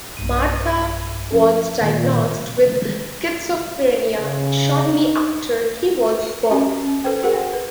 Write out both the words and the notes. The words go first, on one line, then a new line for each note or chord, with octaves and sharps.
Martha was diagnosed with schizophrenia shortly after he was born.
B1 G2 D#7
F3 C#4 A4
A#2 D#3 G#3 A#3
C#3
D#4
C#4 F#4 G4 A#5
C#4
A4 B4 C5 G5
F#4 G#4 A#4 F#5
B4